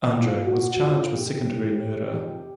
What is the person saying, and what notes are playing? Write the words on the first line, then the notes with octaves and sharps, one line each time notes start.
Andre was charged with second degree murder.
A2 E3 G3 F4
F#4
G#2 E3 A3 F4
G4
C3 E3 A3
F2 C3 D#3 G#3 G4